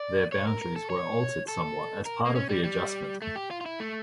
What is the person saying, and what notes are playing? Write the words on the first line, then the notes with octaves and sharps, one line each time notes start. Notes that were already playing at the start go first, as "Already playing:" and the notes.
Their boundaries were altered somewhat as part of the adjustment.
Already playing: D5
C#5
A#4
A#4
A4
C#5
A4
A#4
A#3
C#4
G3
G3
A3
G4
F4
F4
E4
A3